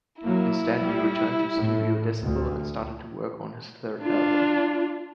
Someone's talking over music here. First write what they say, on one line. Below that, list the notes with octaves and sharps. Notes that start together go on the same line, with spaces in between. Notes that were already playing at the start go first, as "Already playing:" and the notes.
Instead, he returned to Studio Decibel and started work on his third album.
F#3 A#3 E4
G3
A2
D2
D4 F4